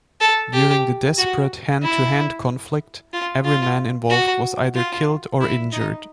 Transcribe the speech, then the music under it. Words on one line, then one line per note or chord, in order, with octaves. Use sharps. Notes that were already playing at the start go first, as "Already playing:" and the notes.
During the desperate hand-to-hand conflict, every man involved was either killed or injured.
A4
G4
F#4
E4
F4
F4
F#4
F4
E4
D#4